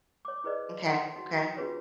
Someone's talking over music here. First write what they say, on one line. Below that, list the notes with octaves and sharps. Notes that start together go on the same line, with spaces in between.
Okay. Okay.
C#5 D6
E4 G#4 B4 C5 D5 D#5
C#5 F#5 G#5 C6
D#4 F#4
D4 F4 F#4 G#4 B4 C#5